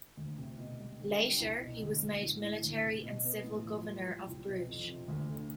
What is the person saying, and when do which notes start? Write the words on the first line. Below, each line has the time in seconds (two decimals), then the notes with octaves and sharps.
Later, he was made military and civil governor of Bruges.
0.17 D2
0.38 C3
0.58 B2
0.80 G3
1.00 D3
1.20 G3
1.40 C2
1.61 B2
1.82 D2
2.01 D3
2.22 A2
2.43 E3
2.63 D2
2.84 C3
3.04 B2
3.25 B3
3.44 A2
3.65 F3
3.86 E3
4.06 G3
4.27 C2
4.46 B2
4.67 F2
4.88 C3
5.08 D2
5.29 D3